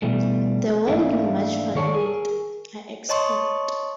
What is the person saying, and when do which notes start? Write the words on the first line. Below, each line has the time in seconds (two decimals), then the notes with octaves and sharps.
There won’t be much fun in it, I expect.
0.02 B2 E3 G3 A3
0.87 G#2 E3 A3 A#3 D4 E4
1.75 D#3 A4 C#5 D5 E5 A5
1.95 G#4 A#4
3.09 C#5 D#5 A5 C6 C#6 D#6